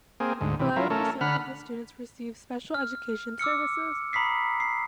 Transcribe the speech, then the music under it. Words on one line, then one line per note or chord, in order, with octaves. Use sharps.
Eleven percent of the students receive special education services.
A#3 C4 G#4
D2 G#2
C3 E3
F#3 E4 F4 A#4
A3 C#4 A4 A#4
D3 F#5 B5 F6
F6
D6 E6 F6 C#7
A#5 B5 D#6 B6 C7
C7